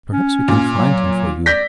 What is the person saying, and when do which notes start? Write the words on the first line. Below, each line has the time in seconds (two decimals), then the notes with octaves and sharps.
Perhaps we can find him for you.
0.13 C#4
0.48 A#2
0.76 F#3
1.46 D5 G6 A#6 B6